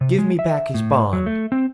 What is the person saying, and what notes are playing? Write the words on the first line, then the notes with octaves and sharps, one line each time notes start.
Give me back his bond.'
C3
G#3
E5
A2
F#3
A3
C4